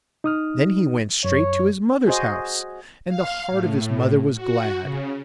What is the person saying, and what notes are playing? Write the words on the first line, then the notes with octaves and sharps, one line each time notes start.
Then he went straight to his mother's house, and the heart of his mother was glad.
D#4 D#6 F6
F#2 C#5
F#4 G#4 C5 D#5
F5
A2
F#4
C#3